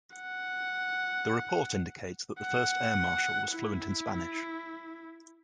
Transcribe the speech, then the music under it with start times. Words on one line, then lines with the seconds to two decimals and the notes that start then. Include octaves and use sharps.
The report indicates that the first air marshal was fluent in Spanish.
0.16 F#5
2.41 F#5
3.53 E4